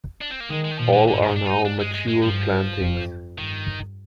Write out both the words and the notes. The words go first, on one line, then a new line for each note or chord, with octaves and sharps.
All are now mature plantings.
D4
C4
A#3
D#3 G#3
G#3
D#3
A#2 F3
D3
G2 D3
D#3
D4
F4
D#4
G2 D4
G#3
G#3
G#3
G2 F3
F2
G2 D#3